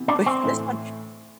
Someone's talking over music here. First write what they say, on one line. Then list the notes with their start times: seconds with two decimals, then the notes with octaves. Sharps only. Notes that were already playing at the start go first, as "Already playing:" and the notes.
but in this one,
Already playing: C3 E3 B3
0.08 D4
0.26 C4
0.43 A2 E3 A3